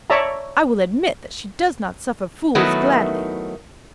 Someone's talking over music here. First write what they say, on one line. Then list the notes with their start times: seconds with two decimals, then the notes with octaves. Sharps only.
I will admit that she does not suffer fools gladly.'
0.10 C#5 D5 E5 A5 A#5
2.55 D#3 F#3 A3 B3 D#4 E4